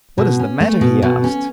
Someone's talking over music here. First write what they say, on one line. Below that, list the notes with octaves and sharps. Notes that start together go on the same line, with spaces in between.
"What is the matter?" he asked.
B2
C#4
A3
B2
B2
C#4